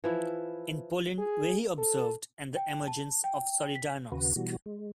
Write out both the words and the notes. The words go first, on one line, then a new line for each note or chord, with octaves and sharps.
In Poland where he observed and the emergence of Solidarnosc.
E3 F3 E4
G#4
A4
G5
A5
G5
B6
D#2 C#3 F#4 B4
B2 E3 G3 F#4
G#3